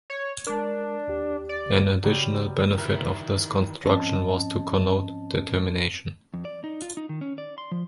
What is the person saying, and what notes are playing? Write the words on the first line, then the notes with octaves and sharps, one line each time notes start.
An additional benefit of this construction was to connote "determination".
C#5
G#3 D4 A#4
D#2 G4
D5
C#3 F#3 G3 G4 B5
D#3 E4 A#4
G#2 F3 C4 C#4 D#5 A5
F2
D5
D#4
F4
D#4
D#3
C#4
D5
C6
F3